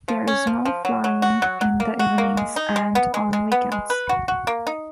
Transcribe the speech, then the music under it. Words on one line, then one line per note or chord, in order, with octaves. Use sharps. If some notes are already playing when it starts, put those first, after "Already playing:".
There is no flying in the evenings and on weekends.
F3
C#4
F3
F3
F#3
F#3
F#4
F#3
F#3
A#3
F#4
A#3
G#3
D#4
G#3
B3
G#3
G#3
B3
G#3
B4
F#4
F#4
A#3
D#4